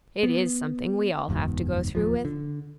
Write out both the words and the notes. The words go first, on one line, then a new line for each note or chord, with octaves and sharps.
It is something we all have to go through with.
B3
F#1 E2 G#2 B2
D1 D#2 F3
D3